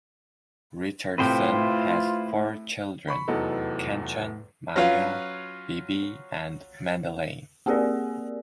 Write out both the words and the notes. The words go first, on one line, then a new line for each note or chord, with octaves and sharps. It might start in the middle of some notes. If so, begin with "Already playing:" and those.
Richardson has four children, Kanchan, Maya, Bibi and Madeleine.
A2 C3 A3 E4 F4 B4 C5 G5
B5 C#6
F1 E2 F#3 B3 D#4 A4
F#3 C#4 F4 B4 F5
A#3 C4 G4 G#4 A#4 D5